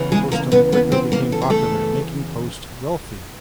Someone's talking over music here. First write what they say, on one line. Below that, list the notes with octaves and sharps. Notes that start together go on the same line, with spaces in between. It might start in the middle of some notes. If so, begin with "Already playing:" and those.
Postum quickly became popular, making Post wealthy.
Already playing: E2 C#3 E3
G#3 G#4
A#3 A#4
B3 B4
B3 B4
C4 C5
A#3 A#4
A4
G#4
A3 A4